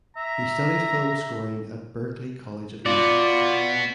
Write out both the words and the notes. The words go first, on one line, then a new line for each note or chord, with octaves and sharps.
He studied film scoring at Berklee College of Music.
E5 A#5
B3 F4 F#4 D5